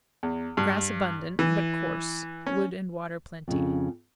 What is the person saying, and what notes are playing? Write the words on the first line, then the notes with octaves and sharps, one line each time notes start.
Grass abundant, but coarse; wood and water plenty.
E2
G2
E3
C#4
F2 C#3